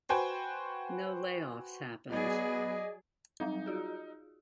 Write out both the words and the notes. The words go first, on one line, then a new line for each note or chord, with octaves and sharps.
No layoffs happened.
F#4 B4 C5 G5 G#5
F#3 B3 G#4 D5 D#5
F#3 G3 C4 D#4
F4 F#4 G#4